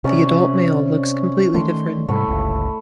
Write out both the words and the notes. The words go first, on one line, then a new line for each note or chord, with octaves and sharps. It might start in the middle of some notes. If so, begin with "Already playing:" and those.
The adult Male looks completely different.
C3 C#4 D5 E5
D#3 A3 C6
G#2 C3 G3 A3 E4
G1 C#2